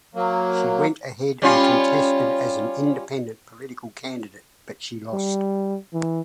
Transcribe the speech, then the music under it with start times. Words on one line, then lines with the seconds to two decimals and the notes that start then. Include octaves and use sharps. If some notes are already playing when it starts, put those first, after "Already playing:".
She went ahead and contested as an Independent political candidate but she lost.
0.15 F#3 A#3
1.42 G3 C#4 F4
5.13 G3
5.94 E3